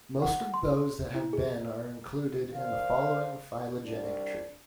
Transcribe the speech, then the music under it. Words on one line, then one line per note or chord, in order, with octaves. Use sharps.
Most of those that have been are included in the following phylogenetic tree.
F#5
C6
E4
G#4
D#3 D4 C5 F5
C2 D4